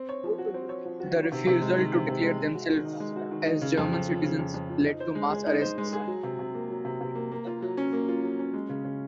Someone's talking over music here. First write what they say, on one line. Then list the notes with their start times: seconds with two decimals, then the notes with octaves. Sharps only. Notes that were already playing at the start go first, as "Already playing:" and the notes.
The refusal to declare themselves as German citizens led to mass arrests.
Already playing: C4
0.09 C#5
0.24 F3
0.38 F#4
0.54 C4
0.69 C#5
0.85 F3
1.00 F#4
1.16 D#3
1.32 C3
1.47 C3
1.62 G#3
1.77 D#3
1.93 C3
2.08 C3
2.23 G#3
2.39 G#3
2.55 F#4
2.70 D#3
2.85 D#4
3.00 G#3
3.16 F#4
3.31 D#3
3.46 D#4
3.61 C#3
3.78 F2
3.93 F2
4.09 F3
4.23 C#3
4.39 F2
4.54 F2
4.70 F3
4.85 D#4
5.00 C5
5.15 G#3
5.31 G#4
5.46 D#4
5.61 C5
5.78 G#3
5.93 G#4
6.07 F#3
6.23 C3
6.39 C3
6.55 A#3
6.70 F#3
6.85 C3
7.01 C3
7.15 A#3
7.31 A#3
7.47 F4
7.62 F#3
7.77 C#4
7.93 A#3
8.09 F4
8.24 F#3
8.39 C#4
8.54 G#3
8.69 C#3
8.84 C#3